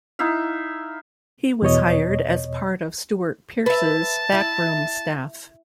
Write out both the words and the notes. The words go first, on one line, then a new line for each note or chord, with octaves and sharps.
He was hired as part of Stuart Pearce's backroom staff.
D#4 E4 E5 F5
E2 B2 C#5 D#5
B4 E5 A5
E4